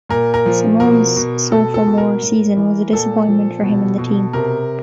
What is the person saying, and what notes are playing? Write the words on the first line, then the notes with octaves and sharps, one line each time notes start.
Simeon's sophomore season was a disappointment for him and the team.
A#2 A#4
A#4
F3
B2 A#4
B2
B2 A4
A4
B2
A#4
A2
E3
A#2 A4
F3
B2
B2
C3 A#4